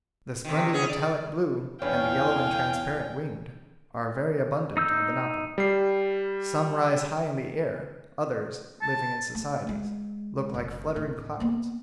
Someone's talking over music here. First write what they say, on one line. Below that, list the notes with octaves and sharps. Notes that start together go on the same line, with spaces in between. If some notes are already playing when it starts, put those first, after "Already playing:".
The splendid metallic-blue, and the yellow and transparent-winged, are very abundant on the Napo; some rise high in the air; others, living in societies, look like fluttering clouds.
C3 D#3
B3 C#4 G#4
D5
E2 C#4 D4 C#5 F5 G5 G#5
D#4 E6 G6
G3 C7
A5
A3
G#3
F#1
A2
A#3 B3